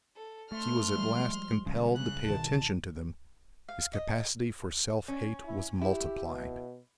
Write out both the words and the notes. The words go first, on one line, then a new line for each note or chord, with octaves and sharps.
As he was at last compelled to pay attention to them, his capacity for self-hate was multiplied.
A4
A3 C6 F6
F3 G3 G#3
C#3
F#6
C2 B2 D#3 A5
F5
D#5
C#4
E4
E4 G4
B2